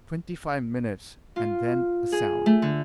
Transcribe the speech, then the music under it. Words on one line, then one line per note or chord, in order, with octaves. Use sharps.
Twenty-five minutes, and then a sound.
F4
G#4
A3
D3